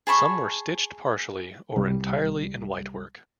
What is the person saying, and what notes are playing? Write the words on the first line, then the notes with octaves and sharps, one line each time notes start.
Some were stitched partially or entirely in whitework.
G#4 A5 B5 C#6
C2 G3